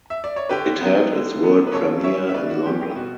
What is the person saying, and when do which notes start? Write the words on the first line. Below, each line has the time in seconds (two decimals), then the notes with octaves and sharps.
It had its world premiere in London.
0.10 E5
0.24 D5
0.36 C#5
0.49 D3 G4 B4
0.81 F#3 B3
1.12 D3
1.42 F#3 B3
1.66 B4
1.73 C#3 A4 C#5
2.04 G3 C#4 C#5 E5
2.29 E5
2.34 C#3 B4 D5
2.50 F#4
2.66 G3 C#4 G4
2.81 G4
2.96 B2 F#4